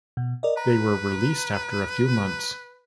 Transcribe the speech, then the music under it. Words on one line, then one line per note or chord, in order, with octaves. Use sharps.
They were released after a few months.
B2
A#4 D5 D#5
B4 A#5